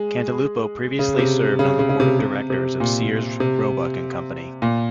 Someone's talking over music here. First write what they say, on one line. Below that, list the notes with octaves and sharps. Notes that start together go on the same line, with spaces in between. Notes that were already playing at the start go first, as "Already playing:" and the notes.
Cantalupo previously served on the board of directors of Sears, Roebuck and Company.
Already playing: G#3
C#3
C3
C#3
C#3
C#3
C3
C3
C3
A#2
C3
A#2